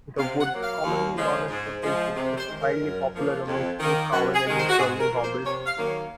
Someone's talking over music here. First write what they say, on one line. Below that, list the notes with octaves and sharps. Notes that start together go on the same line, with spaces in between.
The wood, commonly known as serpentwood, is mildly popular amongst woodcarving and woodturning hobbyists.
C3 F5
F#5
F#3 A#3
F5
D#2
C#3 F3 G#3
G#2
F3 G#3
C3
C5
D#3 G#3
A#4
F#2
F3 A#3
F2
D#3 A#3
F#2 F#4
G#4
D#3 G#3
C5
F#4
G#2 G#4
A#4
F3 A#3
C5
C3 C#5
F5
D#3 F#3 A#3
C#5